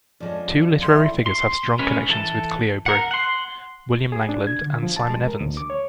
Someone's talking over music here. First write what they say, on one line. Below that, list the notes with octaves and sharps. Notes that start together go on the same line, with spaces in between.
Two literary figures have strong connections with Cleobury: William Langland and Simon Evans.
F2 F3 G#3 C#4 D4
D3 E3 G3 C6
C6
G#3 C#4 A#4 B4
E3 A4 A5
A#4 F#5
F#5 C6
G#4
D4
G#6
D3
F3
A5
G#3
A#4
D2
D6
C#5